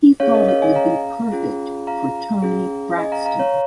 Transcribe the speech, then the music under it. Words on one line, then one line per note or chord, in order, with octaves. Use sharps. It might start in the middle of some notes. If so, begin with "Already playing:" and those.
He thought it would be perfect for Toni Braxton.
C#4 G#4 C#5 F5
A#4 D#5
C#5 F5
D#5 G#5
F5 A#5
C#4 F4 G#4
F5 A#5
C#4 G#4
D#5 G#5
F5 A#5
F5 A#5
C#5 F5